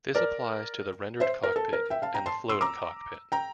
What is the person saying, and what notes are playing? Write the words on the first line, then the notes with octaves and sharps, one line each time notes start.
This applies to the rendered cockpit and the floating cockpit.
A#4 D5
C5 E5
A#4
A4
A#4
E5 G5
F5 A5
G5 A#5
A5 C6
C6 E6
A#5 D6
G5 A#5